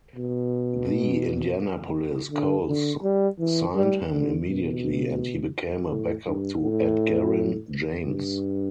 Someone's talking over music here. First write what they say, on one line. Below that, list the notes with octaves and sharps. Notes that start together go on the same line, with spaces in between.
The Indianapolis Colts signed him immediately, and he became a backup to Edgerrin James.
B2
D3
D3
G3
E3
G3
D3
B2
A2
G2
A2
G2